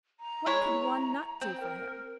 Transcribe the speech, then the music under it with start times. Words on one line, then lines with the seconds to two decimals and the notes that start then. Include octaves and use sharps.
What could one nut do for him?
0.20 A#5
0.46 G#3 E4 C#5
1.41 C4 G5
1.61 A#4